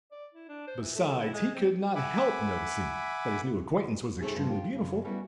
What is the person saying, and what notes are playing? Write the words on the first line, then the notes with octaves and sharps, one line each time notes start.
Besides, he could not help noticing that his new acquaintance was extremely beautiful.
D5
E4
D4
C5
E3
A3
A4
E4
G#3
C4
E5 F#5 G#5 B5 D6
C3 A3 C4 D#4 G#4
G2 F3 B3
F4 G4
F#2 C#3
G3 B3 C#4 E4 F#4 B4